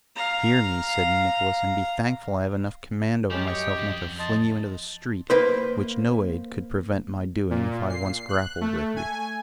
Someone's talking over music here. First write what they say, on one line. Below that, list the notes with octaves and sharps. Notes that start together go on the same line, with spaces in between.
'Hear me,' said Nicholas, 'and be thankful I have enough command over myself not to fling you into the street, which no aid could prevent my doing if I once grappled with you.
F5 A#5
F3 G#3 C#4 G4
F#2 C#5 D#5
F2
D#5 A5 C6
A#3 B4 C5
A#2
C7
F#6
A3
G#5